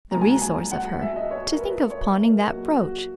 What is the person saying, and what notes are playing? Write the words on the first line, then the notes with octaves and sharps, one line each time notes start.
The resource of her, to think of pawning that brooch!
D#2 C#3 G#3 A#5
G#5
A#5
G#5
F#5
F#5
E5
D#5
C#5
A#4
B4
C#5
A#4
A#2 F#3 F#4
F#4